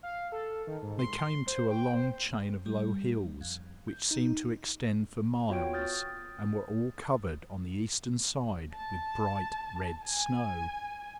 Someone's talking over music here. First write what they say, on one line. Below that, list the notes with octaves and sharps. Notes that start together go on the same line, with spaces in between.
They came to a long chain of low hills which seemed to extend for miles, and were all covered on the eastern side with bright red snow.
F5
A4
D#3
G#2
C6
C6
C5
G5
C5
G3
F2
G6
D#4
B3 F4 F#4 C#5 G5 D7
D#6 F6 G6 A6
A5
G#5